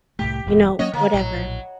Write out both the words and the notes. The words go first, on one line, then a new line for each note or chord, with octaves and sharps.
you know, whatever.
C2 A2 A3 G4
D1 E2 A#2
F#3 A#3 C#4 F#4 C#5 D#5
D3 D#3 A#3
A#1 A2 F#3